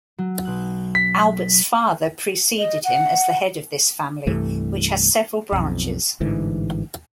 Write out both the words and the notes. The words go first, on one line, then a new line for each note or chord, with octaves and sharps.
Albert's father preceded him as the head of this family, which has several branches.
F#3
B1 F#6
B6
D#5
F#5
C2 G2 E3 A3
B1 F2
A1 G#2 D3 E3